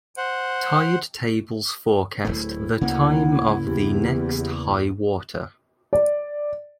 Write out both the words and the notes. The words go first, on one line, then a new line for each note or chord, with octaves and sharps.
Tide tables forecast the time of the next high water.
C5 F#5
D1 G#1 A3 E4
D2 C#3 A#3 C#4 F#5
E2 G4
D5